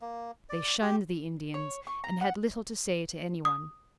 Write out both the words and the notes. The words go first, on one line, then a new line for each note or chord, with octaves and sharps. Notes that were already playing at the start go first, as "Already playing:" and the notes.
They shunned the Indians and had little to say to any one.
A#3
D5
G4
C#5
C#6
A#5
F#5
D#6